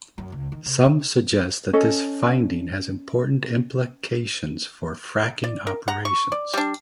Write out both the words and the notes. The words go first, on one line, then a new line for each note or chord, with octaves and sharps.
Some suggest that this finding has important implications for fracking operations.
F#2
C#2
D#3
C3
C3
C#4 A4 D#5
D5
A#4
F#5 A#5
C#6
D5
G3 D4